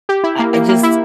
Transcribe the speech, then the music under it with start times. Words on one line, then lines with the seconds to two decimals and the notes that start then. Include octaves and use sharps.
I I just
0.09 G4
0.24 E4
0.39 A#3
0.53 A#3
0.69 A#3
0.83 E4